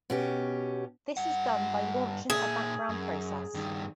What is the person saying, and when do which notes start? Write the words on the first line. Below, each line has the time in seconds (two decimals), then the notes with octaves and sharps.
This is done by launching a background process.
0.10 B2 C#4 G4
1.17 G2 F#5
2.30 A#2 G#4 E5
2.89 F#2
3.54 G2 D#3